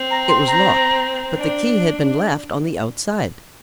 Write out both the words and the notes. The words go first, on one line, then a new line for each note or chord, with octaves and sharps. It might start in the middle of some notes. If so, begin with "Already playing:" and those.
It was locked, but the key had been left on the outside.
Already playing: C4
A#5
C6
A#5
D4